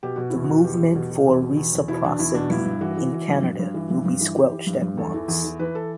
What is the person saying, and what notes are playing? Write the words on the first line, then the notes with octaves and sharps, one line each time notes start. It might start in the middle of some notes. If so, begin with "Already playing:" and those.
The movement for reciprocity in Canada will be squelched at once.
B2 G4
B2 F#4
E2 E4
F#4
B2
E2 G4
E2
B2
B2
E2
B2
E2
E2
B2 E4
E2 D4
E2 E4
B2 D4
G2 E4
G2
E3 F#4
E3
E3
G2
G2
G2
E3
G2
G2
E3
E3 G4
E3
G2
G2
E2 A4
E3
E2
E3
E3 B4
A4